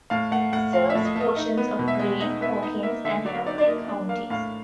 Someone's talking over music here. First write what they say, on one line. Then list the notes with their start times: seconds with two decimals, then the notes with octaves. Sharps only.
It serves portions of Greene, Hawkins and Hamblen counties.
0.10 A2 F5
0.31 A3 F#5
0.53 A2 F#5
0.73 F3 F5
0.90 E5
0.95 A2
1.05 D#5
1.16 A3 D#5
1.36 D#4
1.57 B3
1.79 B2
1.88 E5
1.99 G#3 D#5
2.20 D#4 D#5
2.41 B3 E5
2.63 D#4 D#5
2.83 A#3 E5
3.05 D3 E5
3.25 F#3 D5
3.46 D#4 D5
3.58 D5
3.67 A#3 D#5
3.88 D4
4.09 A#3 F5
4.30 A2 F5